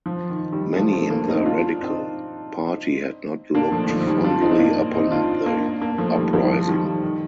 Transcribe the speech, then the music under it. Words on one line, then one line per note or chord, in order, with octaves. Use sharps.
Many in the Radical Party had not looked fondly upon the uprising.
F3
D#3
D#3 G3
F3 A3
A3 C4
A#3 D4
C4 D#4
D4 F4
C4 D#4
A#3 D4
F3 A3
D#3
F3
F3
D#3 G3
D4 F4
C4 D#4
A#3 D4
C4 D#4
D4 F4
A#3 D4
A#3 D4
F3 A3
D#3 G3
F3
F3
D#3 G3
F3
D#3